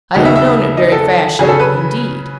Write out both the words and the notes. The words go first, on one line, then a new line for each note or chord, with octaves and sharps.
I have known it very fashionable indeed.
D#2 C#3 F#3 B3 D#4
E5
E5
D#5
A4
C#3 F#3 C#4 G#4
A4
B4